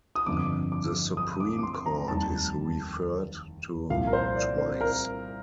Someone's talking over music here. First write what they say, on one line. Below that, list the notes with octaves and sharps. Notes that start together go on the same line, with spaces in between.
The Supreme Court is referred to twice.
D#6
G1 F2 D3 D6
D6
D#6
D6
D6
C6
A#5
F1 D#2 D#3 G3 A5
C2 A#2 F3 F5
A#4
C5
D5
C5
A#4